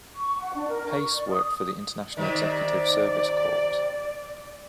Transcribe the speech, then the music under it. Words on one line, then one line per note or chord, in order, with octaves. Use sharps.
Pace worked for the International Executive Service Corps.
C#6
F#5
D4
A#4
C#6
D5
D#6
C3 D#3 D5